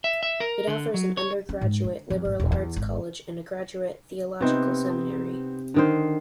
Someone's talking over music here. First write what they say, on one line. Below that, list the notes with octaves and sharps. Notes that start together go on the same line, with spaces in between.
It offers an undergraduate liberal arts college and a graduate theological seminary.
E5
E5
A#4
D3
F#3
C#5
C#4
G#2
D3
F2
G#1
D#1
E2
G#1
C3 B3 C4 D#4
D3 D#3 C5